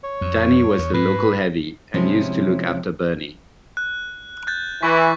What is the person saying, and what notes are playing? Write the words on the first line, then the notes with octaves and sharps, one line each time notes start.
Danny was the local heavy and used to look after Bernie.
C#5
F2
E2
G#2 B4
C3 F3 G#3 C#4 E4
F#6
F#6 G6 A6
E3 C#6 B6